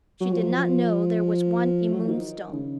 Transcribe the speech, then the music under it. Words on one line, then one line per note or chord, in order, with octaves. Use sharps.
She did not know there was one in Moonstone.
F#3
F3
F#3
F3
D#3
C#3